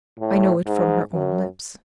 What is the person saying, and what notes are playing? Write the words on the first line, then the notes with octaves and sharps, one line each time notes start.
I know it from her own lips.
A2
G#2
F#2